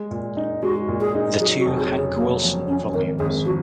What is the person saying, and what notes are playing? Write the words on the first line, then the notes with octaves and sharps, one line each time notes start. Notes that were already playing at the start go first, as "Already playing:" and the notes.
The two Hank Wilson Vol.
Already playing: G#3
A#2
D#4
G#3 F#4
A#2
G#4
D#4
F#3 G#4
F#4
F1
G#4
C#3
G#4
F#3 A#3
F2
F2 C#4
G#1 A#4
G#1 G#4
F3 F#4